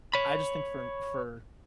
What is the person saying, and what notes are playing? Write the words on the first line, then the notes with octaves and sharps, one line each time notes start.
I just think for for
C#5 B5